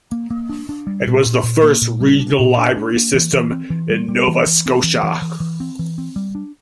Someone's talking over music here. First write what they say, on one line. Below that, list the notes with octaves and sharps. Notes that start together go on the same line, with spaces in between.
It was the first regional library system in Nova Scotia.
A#3
A#3
D4
D4
G3
A#2
A#2
A#2
A#3
A#2
G3
D4
A#2
D4
D4
A#3
E3
E3
C4
E3
G3
G3
E3
E3
C4
E3
E3
E3
E3
C4
E3
C4
G3
D4